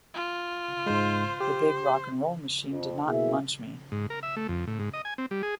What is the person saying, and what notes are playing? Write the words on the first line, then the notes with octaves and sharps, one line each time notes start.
The big rock 'n' roll machine did not munch me.
F4
G#2 G#3 C5
G4 C5
F2
B2 A#3 E4 G#4 E5
G#2
A#4
E5
A3
F2
A2
G#2
D#5
G#5
C4
G3
G#4